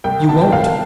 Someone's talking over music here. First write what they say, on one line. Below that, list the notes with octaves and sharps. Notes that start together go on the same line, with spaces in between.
"You won't!"
C2 G5
B2 A5
G5
C2 F5